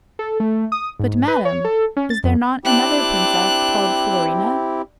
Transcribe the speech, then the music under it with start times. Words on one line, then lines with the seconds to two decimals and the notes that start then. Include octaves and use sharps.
"But, madam, is there not another princess called Florina?"
0.19 A4
0.40 A3
0.72 D#6
0.99 G#2
1.28 B4
1.45 C#5
1.65 A4
1.97 C#4
2.10 A6
2.24 F2
2.65 C4 D4 E4 G4 F#6